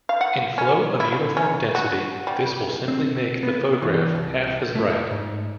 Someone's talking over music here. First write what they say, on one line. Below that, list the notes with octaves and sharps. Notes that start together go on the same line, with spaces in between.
In flow of uniform density this will simply make the photograph half as bright.
F5
F#5
C#4
E4
E3
C#4
F#4
G3
C4
B3
E3
C2
A3
A3
G#2